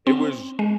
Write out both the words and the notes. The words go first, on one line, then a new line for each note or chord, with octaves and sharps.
it was
C4
G#3